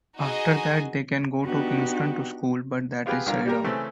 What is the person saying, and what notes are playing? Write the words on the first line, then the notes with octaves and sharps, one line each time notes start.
After that, they can go to Kingston to school, but that is seldom.
D#4 F#4 G#4 D#5 G#5
B3 D4 D#4 F#4 G4
B3 F4 G4 G#4 B4
C2 D3 D4 F4 A#4
G3 G4 A#4
C#3 E3 A3 C4 C#4 A4